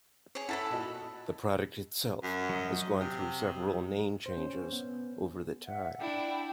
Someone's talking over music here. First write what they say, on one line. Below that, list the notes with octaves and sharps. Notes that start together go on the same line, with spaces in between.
The product itself has gone through several name changes over the time.
G#4 C#5
E4 A4 F#5 A5 B5 A6
A#2 F#4 D#5
F#2
F#3 D#5
C3
C5
C#4
B3
E5 F#5
D4 E4 G5